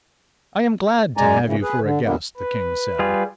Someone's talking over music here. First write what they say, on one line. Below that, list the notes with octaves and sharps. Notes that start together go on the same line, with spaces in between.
"I am glad to have you for a guest," the king said.
F#2 G#3 D5 G#5 A#5
A#2 C#3 E3
G#4 B4
D3
D#2 A#2 D3 A#3 B3
B4
G3 F4 G#4